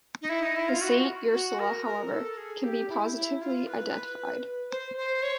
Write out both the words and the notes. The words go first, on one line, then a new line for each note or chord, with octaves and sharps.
The "Saint Ursula", however, can be positively identified.
D#4
E4
D#4
E4
F4
F#4
F#4
A#4
A#4
A4
G#4
G4
E4
E4
F4
B4
C5
C5
C#5